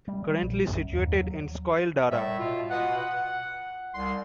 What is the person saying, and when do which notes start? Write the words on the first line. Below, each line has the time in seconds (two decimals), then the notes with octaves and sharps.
Currently situated in Scoil Dara.
0.08 G3
0.23 G3
0.42 A#1
0.70 F#2
0.92 D#2
1.15 F#3
2.10 C2 A2 E5
2.39 B2 F4
2.70 B2 F4 B4 D#5 F#5
2.97 F#5
3.94 C2 C6